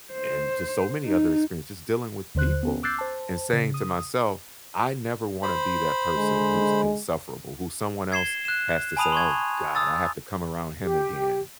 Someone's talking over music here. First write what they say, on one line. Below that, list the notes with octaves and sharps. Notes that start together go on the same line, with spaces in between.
and just so many other experiences, just dealing with people, and saying to myself, "I never wanna be that person who's insufferable, who someone else has to say, "Oh god, I have to come around him again."
C5
D#4
D#2 D3 C5 F#6
B3 C#4
D6 E6 F#6 G6 A6 C7
C5 A5
C#3
D#6
C5 B5
D3 G#3
G#6 C7 E7 G7
F#6 E7
G#5 A5 B5 D#6 D#7 F7
C6 C#6 G#6
D#6 E6 A6
G4